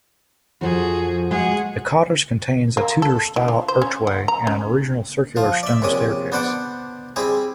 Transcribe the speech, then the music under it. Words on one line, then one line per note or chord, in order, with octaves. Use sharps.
The cottage contains a Tudor-style archway and an original circular stone staircase.
F2 F3 F#4 G#4
G#3 F#4 G#4 F#5
A#3
A4
E3
F3
C5
C#4
F#5
A#5
C#4
F3 F4
D5 E5
A#1 C3 C#4 D5 D#6
B3 D4 C5 D5 F#5 D6
G3 C4 E4 G#4